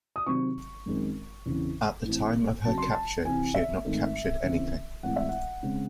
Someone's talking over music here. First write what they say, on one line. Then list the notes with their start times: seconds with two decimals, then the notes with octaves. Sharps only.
At the time of her capture she had not captured anything.
0.16 D#6
0.26 C3 D#3 F#3 C4 C#6
0.86 F#2 D#3 G#3 C4
1.46 E2 C#3 E3 C4
2.05 A2 E3 C4
2.65 C#3 F#3 C4 A5
2.78 C6
2.90 A5
3.25 C3 E3 C4 G#5
3.54 E5
3.84 G#2 D#3 A3 C4
4.44 C#3 E3 C4
5.03 A2 E3 G#3 C4 F#5
5.16 E5
5.29 F#5
5.63 C#3 G#3 C4